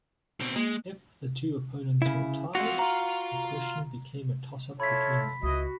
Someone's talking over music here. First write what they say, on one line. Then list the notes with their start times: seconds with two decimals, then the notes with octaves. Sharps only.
If the two opponents were tied, the question became a toss-up between them.
0.40 B2 C4
0.56 G#3 A#3
2.02 C#3 E4
2.55 C4 F4 F#4 F7
2.79 F4 F5 A#5
4.80 E4 F4 A4 C#5 B5 B6
5.43 C#2 E4 F#4 B4 D#5